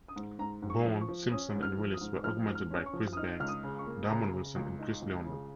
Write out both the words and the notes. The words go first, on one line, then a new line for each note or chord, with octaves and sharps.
Bourne, Simpson, and Willis were augmented by Chris Banks, Damon Wilson, and Chris Leonard.
D#6
G#2
G#2 A#5
G#2
C#6
F3
C#6
F3
C#4 D#6
G#2
F6
F3
D#6
G#2
F3 F6
G#2
F6
C#4
C#6
F3
D#6
D#4 F6
C#2 F6
D#6
C#3
C#6
A#3
C#3 A#5
C#3
C#2
D#4
C#2
C#3